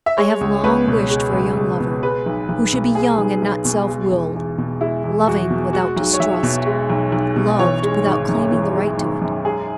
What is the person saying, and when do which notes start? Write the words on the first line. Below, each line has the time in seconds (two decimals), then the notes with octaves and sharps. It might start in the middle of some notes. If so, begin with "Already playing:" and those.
I have long wished for a young lover, who should be young and not self-willed, loving without distrust, loved without claiming the right to it.
0.06 E5
0.17 G#3 C#5
0.41 C#2
0.64 C#2 B4
0.87 B2
1.10 G#3
1.33 C#2
1.57 C#2
1.80 B2
2.03 G#3 B4
2.26 B1
2.49 B1
2.73 B2
2.95 G#3 G#4
3.18 B1
3.42 B1
3.65 B2
3.88 G#3
4.11 E2
4.35 E2
4.58 B2
4.81 G#3 E4
5.04 E2
5.27 E2 F#4
5.50 B2
5.73 G#3 F#4
5.96 B1
6.13 C#5
6.20 B1 E5
6.43 B2
6.66 G#3
6.90 B1
7.12 B1
7.36 B2
7.59 E3 C#5
7.83 G#3
8.06 G#1
8.29 F#2
8.52 E3
8.75 G#3
8.98 G#1
9.22 F#2
9.45 G#3 G#4